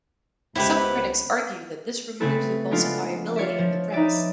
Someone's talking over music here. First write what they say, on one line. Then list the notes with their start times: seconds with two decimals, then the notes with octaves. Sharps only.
Some critics argue that this removes the falsifiability of the premise.
0.55 C#2 B3 E4 G4 B4 C5 G5
2.20 C#3 A3 C4 E4 A4 B4
2.71 F3 G#3 B3 D4 F4
3.36 F4 C#5 D5 E5
3.59 F3
3.92 D#4 B4 D5 E5